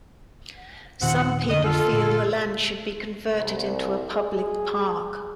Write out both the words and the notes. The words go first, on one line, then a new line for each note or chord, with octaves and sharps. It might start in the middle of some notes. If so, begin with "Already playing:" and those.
Some people feel the land should be converted into a public park.
D#1 A#2 D#3 F3 C4 F#5
F2 D3 D#5
F4 A4
A#2
C2
G#4